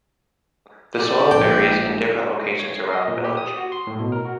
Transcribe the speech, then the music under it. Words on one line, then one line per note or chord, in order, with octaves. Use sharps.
The soil varies in different locations around the village.
G4 D5
A#1 G5
C#5
C7
D#5
A#2
G4
D#6
F#4
C6
A2
B2
A#4
F#4